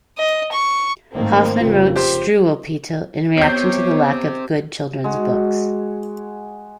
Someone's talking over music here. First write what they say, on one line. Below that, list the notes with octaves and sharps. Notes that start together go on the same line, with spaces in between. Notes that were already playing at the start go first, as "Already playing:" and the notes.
Hoffmann wrote "Struwwelpeter" in reaction to the lack of good children's books.
D#5
C#6
G#2 D#3 A3 A#3 C4
F1 C#3 F4
G4 C5
B3 C4 G4 C#5 G6 C7
G#3 F#4